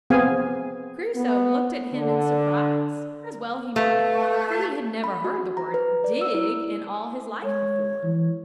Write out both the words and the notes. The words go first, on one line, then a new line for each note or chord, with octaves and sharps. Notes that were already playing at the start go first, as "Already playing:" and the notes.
Crusoe looked at him in surprise, as well he might, for he had never heard the word "dig" in all his life before.
B3 C4 G#4 F5 G#5
B3
D3
A3 B4 F5
B5
F#4
A#5
B4
D5
E6
E4
G#3 C#5
E3